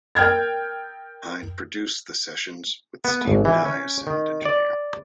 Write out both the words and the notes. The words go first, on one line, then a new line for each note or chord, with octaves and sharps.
Hine produced the sessions, with Steve Nye as sound engineer.
A#4 G5 F6 G#6 A6
B3
G#1
E3
C#4
D#3
D5